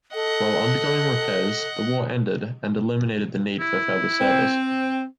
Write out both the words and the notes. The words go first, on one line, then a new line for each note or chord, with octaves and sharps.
While undergoing repairs, the war ended and eliminated the need for further service.
A4 D#5 F#5
E4
C4